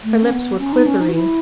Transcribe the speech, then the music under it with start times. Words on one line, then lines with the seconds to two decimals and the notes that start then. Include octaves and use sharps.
Her lips were quivering.
0.04 A3
0.22 C#4
0.32 B3
0.59 C#4
0.73 D#4
0.86 C#4
1.01 D#4
1.08 F#4
1.14 E4